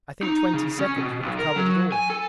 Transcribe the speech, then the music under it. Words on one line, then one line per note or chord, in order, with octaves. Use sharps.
I think twenty seconds would have covered it all.
D#4
C#3
C#4
B2
B1
A#4
F#3
G#5
A4